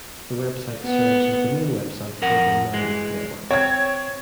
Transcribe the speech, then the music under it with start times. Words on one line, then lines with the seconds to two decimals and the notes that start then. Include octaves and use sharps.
The website serves as the main website for the Nine Network.
0.85 B3
2.22 F2 A#4 F#5
2.73 E3 G#3
3.51 C4 C#5 G#6